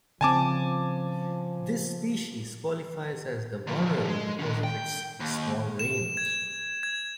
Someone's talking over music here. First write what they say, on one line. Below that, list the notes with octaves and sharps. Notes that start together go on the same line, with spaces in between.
This species qualifies as Vulnerable because of its small range.
C#3 F3 C4 G#5 A5 D6
D3 F3
G#3
D3 D#3
G5
D#2
E7
G#6
G#6